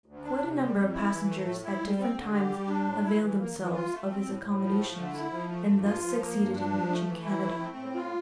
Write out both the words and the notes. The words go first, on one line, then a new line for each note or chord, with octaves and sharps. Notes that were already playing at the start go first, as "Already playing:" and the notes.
Quite a number of passengers at different times availed themselves of his accommodations and thus succeeded in reaching Canada.
D2
D4
C3
G3
F2
E4
E3
A3
A2
E4
G3
C4
D3
G4
G3
D4
A2
E4
E3
A#3
E3
F4
A3
C4
A2
A2
F3
A3
D3
E4
F3
A3
G2
F4
F3
A#3
G2
D4
F3
A3
E3
E4
A3
C4
A2
F4